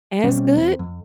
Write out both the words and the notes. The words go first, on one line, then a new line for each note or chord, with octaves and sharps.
as good,
B2 G3 C4 C#4
E2 C4
F2